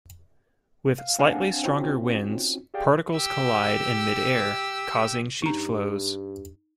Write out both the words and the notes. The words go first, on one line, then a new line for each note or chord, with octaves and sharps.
With slightly stronger winds, particles collide in mid-air, causing sheet flows.
F5
C4 D4 F5 F#5 G#5
C4 C#4 D#4 F4 F#4
G4 G#4 D5 F5 G5
G4 E6
G2 D#4 A#5